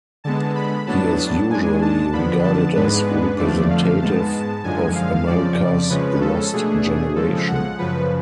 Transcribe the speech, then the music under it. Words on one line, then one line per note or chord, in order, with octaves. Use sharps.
He is usually regarded as representative of America's Lost Generation.
D3 G#3 B3 A5
B5
A2 F#3 B3 D4 A5
G#2 G#3 D4 G#5
A5
F2 D3 F3 B3 D4 B5
A5
G#2 G#3 B3 D4 B4
B4
F2 D3 F3 A3 D4 D5
F5
G#2 G#3 B3 A5
A5
F#2 D3 F3 G#3 G#5
F5
F2 C#3 F3 D5
C#3 F3 G#3 C#4 B4
A4
B2 A3 D4 G#4
C#3 F3 G#3 A4
F#5
F#2 C#3 F3 B4